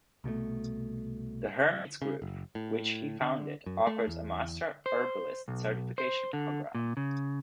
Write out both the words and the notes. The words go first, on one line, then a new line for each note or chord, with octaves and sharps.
The Hermit's Grove, which he founded, offers a Master Herbalist certification program.
C2 B2 D3 A3
C#3
F#1
A2
D3
F#2
A3
E2
C5
B1
C5
D3
A#2
C#3